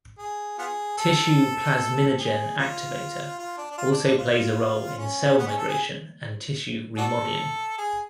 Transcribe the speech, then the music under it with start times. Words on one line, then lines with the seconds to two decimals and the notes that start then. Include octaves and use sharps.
Tissue plasminogen activator also plays a role in cell migration and tissue remodeling.
0.18 G#4
0.59 B3 F4 G#4
0.98 A4
2.07 A4
2.19 G#4
2.58 F4
3.39 F4
3.58 D4
3.71 D4
3.78 F4
3.91 D4
4.05 D4
4.18 F4
4.98 C#4
5.38 B3
5.48 C#4
5.58 A4
5.68 G#4
6.98 D4 F#4 A4
7.78 G#4